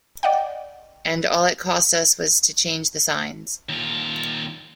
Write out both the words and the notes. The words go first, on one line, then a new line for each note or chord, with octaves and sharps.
And all it cost us was to change the signs.
D5 D#5 F#5 G5
D#2 F4